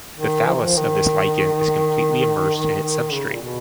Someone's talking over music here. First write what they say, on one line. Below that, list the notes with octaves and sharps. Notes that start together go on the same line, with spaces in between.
The thallus of this lichen is completely immersed in its substrate.
D#3
F3
D#3
F3
D#3
D#3
C#3
A#2
B2